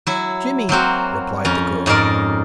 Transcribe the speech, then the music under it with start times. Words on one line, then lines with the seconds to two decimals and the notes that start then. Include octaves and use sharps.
"Jimmy," replied the girl.
0.07 F#3 E4
0.69 F#3 A#3 C4 F#4
1.45 F2 C#4 A#5
1.86 F2 G#2 C#4 A#4 D5